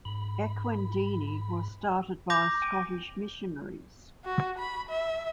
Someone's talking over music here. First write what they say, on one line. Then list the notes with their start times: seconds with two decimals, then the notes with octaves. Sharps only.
Ekwendeni was started by Scottish missionaries.
0.05 G#2 B5
2.30 A#5 D6 G6 A#6
2.62 G5 G#5
4.25 F#4
4.59 B5
4.89 E5